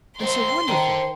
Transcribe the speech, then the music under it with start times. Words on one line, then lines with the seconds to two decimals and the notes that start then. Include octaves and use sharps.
And so wonderful!
0.20 D#3 C4 C5 C6
0.68 D3 D#3 C5